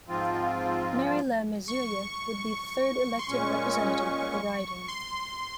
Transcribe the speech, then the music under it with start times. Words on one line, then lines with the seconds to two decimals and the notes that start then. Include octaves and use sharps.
Mary LeMessurier would be the third elected representative of the riding.
0.08 G#2 F3 C4 F4
1.68 C#6
3.19 C6
3.28 A#2 G#3 C#4 C#6
4.88 C6